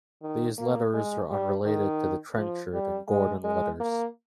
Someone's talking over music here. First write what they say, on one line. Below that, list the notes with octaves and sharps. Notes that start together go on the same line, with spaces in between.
These letters are unrelated to the Trenchard and Gordon letters.
D#3
A#3
G#3
G3
D#3
F3
G3
G#3
G#3
A#3